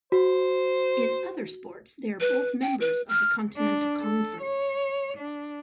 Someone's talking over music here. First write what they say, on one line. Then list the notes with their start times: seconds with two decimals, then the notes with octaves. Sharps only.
In other sports they are both members of the Centennial Conference.
0.12 F#4 C5
2.21 B4
2.62 G5
2.81 B4
3.09 F6
3.56 D4
4.01 A4
4.42 C#5
5.17 D4